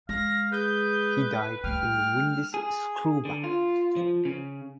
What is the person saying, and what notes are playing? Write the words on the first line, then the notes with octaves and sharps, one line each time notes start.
He died in Windischleuba.
G#3 F5 A#6
G#4 B4 G6
G3 A3 G5 F6
G#4
D3
F4
F3
C#3